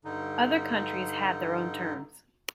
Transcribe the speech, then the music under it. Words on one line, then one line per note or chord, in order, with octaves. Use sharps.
Other countries had their own terms.
G2 D3 D#4